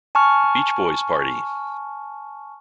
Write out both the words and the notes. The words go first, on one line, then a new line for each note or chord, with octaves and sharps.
Beach Boys' Party!
G#5 A5 C#6 F6